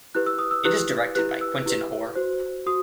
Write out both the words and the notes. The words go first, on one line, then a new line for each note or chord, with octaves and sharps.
It is directed by Quintin Hoare.
E4 G4 B4 F#6
E6
D#6
E6
E4 G4 B4 F#6
E4 G4 B4 F#6
E6
E4 G4 B4
F#4 C5
F#4 D#6